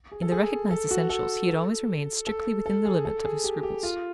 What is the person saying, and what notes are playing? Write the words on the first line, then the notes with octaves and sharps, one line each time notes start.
In the recognized essentials he had always remained strictly within the limit of his scruples.
G#4
A4
G#4
A4
F#4
A4
A4
A4
G#4
A4
G#4
G4
G4
F4